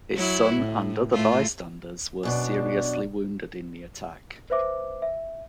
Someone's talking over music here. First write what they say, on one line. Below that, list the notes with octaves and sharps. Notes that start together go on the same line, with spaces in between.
His son and other bystanders were seriously wounded in the attack.
F#3 E4 F#4
A2
A2 A3 F4
F#2 B2 D4
B4 C5 E5 D6
E5